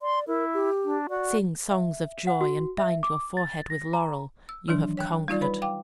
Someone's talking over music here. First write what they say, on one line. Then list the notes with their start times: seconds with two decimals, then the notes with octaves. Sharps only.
Sing songs of joy, and bind your forehead with laurel,--you have conquered!
0.01 D5 C6
0.27 E4 A#4
0.54 G4
0.84 D4
1.10 F#4 D5
1.69 E5
2.27 F#5
2.41 F#4
2.78 E5
3.03 D6
3.37 A6
3.70 A#6
3.93 A#5
4.49 E6
4.68 D#3 E3 F#3 D4
4.97 C#5 G5 F#6
5.28 G3 D#4 F4 D5
5.41 B4 C#5 B5
5.62 F5 G5 D6